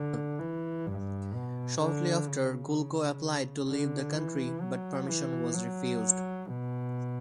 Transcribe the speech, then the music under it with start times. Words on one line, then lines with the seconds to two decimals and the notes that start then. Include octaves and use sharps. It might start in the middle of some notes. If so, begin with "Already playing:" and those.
Shortly after, Gulko applied to leave the country, but permission was refused.
Already playing: D3
0.39 E3
0.86 G2
1.34 B2
1.80 D3
2.28 C#3
3.67 D3
4.15 E3
4.62 F#3
5.08 E3
5.54 F#3
6.49 B2